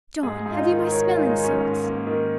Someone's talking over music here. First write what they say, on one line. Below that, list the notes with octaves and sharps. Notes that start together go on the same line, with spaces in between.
John, have you my smelling salts?
G#2 G#4
G#2
F4
D#4
D#3
A#4
D#3 C#5
F4
G#3
D#4
D#3
C#4
G#2
A#3
D#3